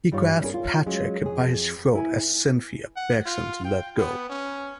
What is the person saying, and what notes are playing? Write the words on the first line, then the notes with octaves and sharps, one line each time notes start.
He grabs Patrick by his throat, as Cynthia begs him to let go.
G2 G3 D#4 F4 C#5
B3 C#4 D4 F4 G#4 A#4
F4
F#3 G#3 C#4 F4
F2 G#4
B3 E4 G5 G#5
F#5
F4
G5
B3
C#4